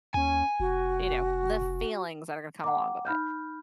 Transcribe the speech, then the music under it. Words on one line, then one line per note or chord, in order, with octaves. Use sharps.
you know, the feelings that are gonna come along with it.
D#2 C#4 G#5
F1 F#4
F#5 G5 A#5 D6
D#4 B5 F6 G6